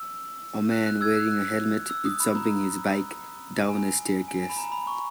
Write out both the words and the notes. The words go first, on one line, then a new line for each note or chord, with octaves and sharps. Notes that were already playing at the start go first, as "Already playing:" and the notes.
A man wearing a helmet is jumping his bike down a staircase.
Already playing: E6
F#6
F#6
E6 G#6
F#6
F#6
E6
D#6
B5
A#5
A#5
G#5
G#5
G#5
B5
A#5
B5
C#6